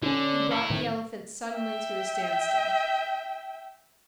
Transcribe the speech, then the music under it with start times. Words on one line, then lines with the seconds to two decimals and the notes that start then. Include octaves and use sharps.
He brought the elephant suddenly to a standstill.
0.02 D3 C#4 D4
0.51 E4 A4
0.70 A2 D#3
1.53 E5 G5